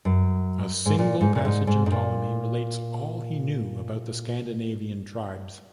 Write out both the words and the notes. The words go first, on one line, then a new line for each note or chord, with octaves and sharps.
A single passage in Ptolemy relates all he knew about the Scandinavian tribes.
F#2
G#2
A#2
G#2
A#2
G#2
G#2
G#2
A#2